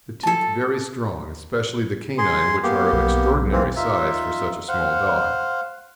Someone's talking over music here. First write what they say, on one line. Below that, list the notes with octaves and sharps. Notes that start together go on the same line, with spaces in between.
The teeth very strong, especially the canine, which are of extraordinary size for such a small dog.
A4 A5
G#4 C6
A#3 B3 G4
B1
E3 A#3 C4
D#4 F4 E5
C5 F5 F#5